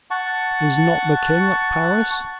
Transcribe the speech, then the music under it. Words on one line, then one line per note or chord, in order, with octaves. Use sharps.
"Is not the king at Paris?"
F#5 A5 C#6